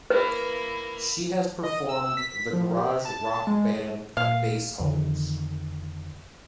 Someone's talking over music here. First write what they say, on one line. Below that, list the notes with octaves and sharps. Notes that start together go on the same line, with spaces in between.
She has performed the garage rock band Bassholes.
A#3 E4 B4
D#5
E6
B6
F3
G4
A5
G#3
A#2 F5
F2 D3 D#3